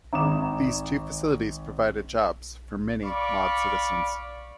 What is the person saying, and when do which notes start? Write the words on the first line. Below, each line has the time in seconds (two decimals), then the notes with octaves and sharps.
These two facilities provided jobs for many Maud citizens.
0.13 G#1 A#5 D6 D#6 E7
3.04 D5 F5 B5 C#6 D6